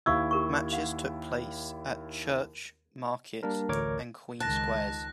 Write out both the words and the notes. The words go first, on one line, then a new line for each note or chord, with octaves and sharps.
Matches took place at Church-, Market and Queen Squares.
D#2 E4 F5 C#6 E6 G#6
G4 A#4 C#6
F5 F#5
G3 A#3 D4 A#4
A1 D2 A#4 C#5 D6 G#6
C#2 D#3 A5 F#6 A#6